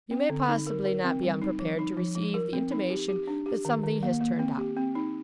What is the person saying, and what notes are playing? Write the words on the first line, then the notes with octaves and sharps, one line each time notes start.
'You may possibly not be unprepared to receive the intimation that something has turned up.
C4
D3
D#4
A#4
A#4
C4
G3
D#4
F3
D#4
F3
F3
A#4
C4
D#4
G4
G4
D4
G4
D#3
D#3
A#3
A#3
C4
G4
C4
D#4